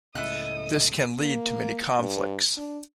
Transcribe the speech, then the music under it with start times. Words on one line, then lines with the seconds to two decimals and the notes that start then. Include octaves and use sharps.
This can lead to many conflicts.
0.15 C#2 A2 C#3 E4 A4 D#5 D#6 F#6
1.20 A#3
1.99 G2
2.57 D4